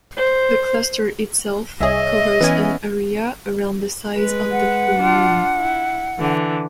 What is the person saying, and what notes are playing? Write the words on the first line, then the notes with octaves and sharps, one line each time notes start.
The cluster itself covers an area around the size of the full moon.
C5
C2 G#4 C#5 D#5 E5
E3 B3 C#4 G#5
G#3 B4
F#5
D4 F4
E4
D3 E3